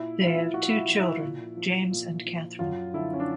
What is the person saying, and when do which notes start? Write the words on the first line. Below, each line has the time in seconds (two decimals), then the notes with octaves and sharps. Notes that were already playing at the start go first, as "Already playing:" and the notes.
They have two children, James and Catherine.
Already playing: A#2 E4
0.19 F3 E4
0.27 F4
0.35 E4
0.54 A#2 F#4
0.69 E4
0.76 F4
0.89 F3
0.99 E4
1.23 A#2
1.57 F3
1.91 A#2
2.26 F3
2.59 F#2 F4
2.94 D3 F3 E4
3.13 C#4
3.20 D4